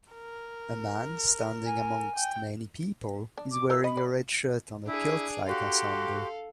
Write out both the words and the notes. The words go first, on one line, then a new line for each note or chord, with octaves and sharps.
A man, standing amongst many people, is wearing a red shirt and a kiltlike ensemble.
A#4
G#5
G5
D4
D6
E3 F4 A#4 E6
D#5 B5
D5
D4 E4 G#4
F#4 G4 A4 F5 C6